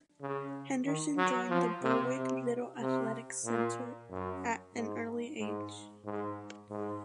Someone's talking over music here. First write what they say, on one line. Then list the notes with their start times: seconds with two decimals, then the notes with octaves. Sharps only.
Henderson joined the Berwick Little Athletics Centre at an early age.
0.21 C#3
0.86 D#3
1.17 F#3
1.50 F3
1.83 C3
2.16 C3
2.80 C3
3.45 A#2
4.10 F#2
4.75 G#2
5.40 G#2
6.05 G#2
6.70 G#2